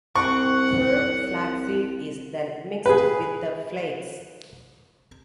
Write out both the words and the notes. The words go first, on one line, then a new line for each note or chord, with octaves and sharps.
Whole flaxseed is then mixed with the flakes.
C2 C4 F#5 C#6
G#4 B4